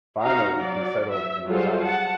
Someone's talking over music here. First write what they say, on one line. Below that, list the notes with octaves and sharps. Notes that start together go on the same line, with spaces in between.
Finally he settled in Marseilles.
D#4 F#4 F5 A#5
F#3 D5
E5
F#3 G3 F4 G#4 A4 C5
F#5 A5